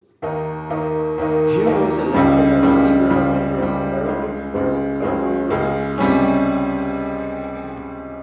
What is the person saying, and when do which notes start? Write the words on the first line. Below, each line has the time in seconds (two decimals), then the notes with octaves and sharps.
He was elected as the Liberal Member of Parliament for Scarborough East.
0.22 D#2 D#3 A#3 D#4
0.70 D#2 D#3 A#3 D#4
1.18 D#2 D#3 A#3 D#4
1.66 D#2 D#3 A#3 D#4
2.14 C#2 C#3 G3
2.63 C#2 C#3 G3
3.10 C#2 C#3 G3
3.58 C#2 C#3 G3
4.06 C#2 C#3 G#3
4.54 C#2 C#3 G#3
5.02 C#2 C#3 G#3
5.50 C#2 C#3 G#3
5.98 C#2 C3 G3 C#4